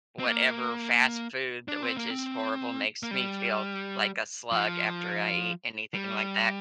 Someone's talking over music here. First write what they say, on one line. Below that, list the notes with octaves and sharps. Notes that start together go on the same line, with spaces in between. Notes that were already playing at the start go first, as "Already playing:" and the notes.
whatever fast food tha which is horrible, makes me feel like a slug after I eat anything like that.
C4
A#3
D4
C4
A#3
C4
A#3
G3
F3
G3